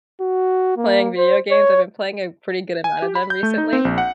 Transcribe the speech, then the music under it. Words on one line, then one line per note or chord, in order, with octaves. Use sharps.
playing video games; I've been playing a pretty good amount of them recently.
F#4
A#3
C5
C#5
G#5
G4
B5
G6
A3
D#4
C4
A#1
F#5